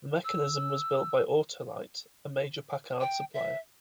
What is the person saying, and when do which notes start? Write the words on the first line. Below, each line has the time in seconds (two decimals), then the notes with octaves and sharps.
The mechanism was built by Auto-Lite, a major Packard supplier.
0.24 E6
3.01 G5
3.34 E5